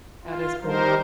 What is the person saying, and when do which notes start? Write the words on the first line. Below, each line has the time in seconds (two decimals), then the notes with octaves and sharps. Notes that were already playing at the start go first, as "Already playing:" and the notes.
That is cool.
0.24 F4
0.63 D#3 G3 D#4 A#4 C5